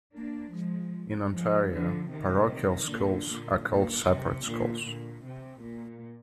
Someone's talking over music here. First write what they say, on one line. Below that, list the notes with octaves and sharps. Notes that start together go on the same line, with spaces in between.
In Ontario, parochial schools are called separate schools.
A#3 D4
F3 G#3
F3 G#3
D3 F3
C3 D#3
A#2 D3
A#2 D3
A#2
C3
A#2 D3
A#2
C3
A#2